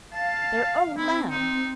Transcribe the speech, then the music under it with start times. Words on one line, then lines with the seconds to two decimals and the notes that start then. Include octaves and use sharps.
Their own Lamb!
0.13 F5 A5
0.97 C4 E4
1.30 D#4